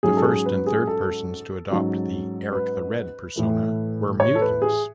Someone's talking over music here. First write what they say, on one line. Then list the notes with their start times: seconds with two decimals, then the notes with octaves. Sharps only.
The first and third persons to adopt the "Erik the Red" persona were mutants.
0.03 G#2 F#3 C#4 G#4
0.17 A4
0.24 G#4
0.46 B4
0.66 G#4
0.87 A4
1.70 G#2 F#3 C#4
2.53 B4
3.36 A2 E3 A3
4.20 C#5
4.35 A4
4.41 B4
4.62 G#4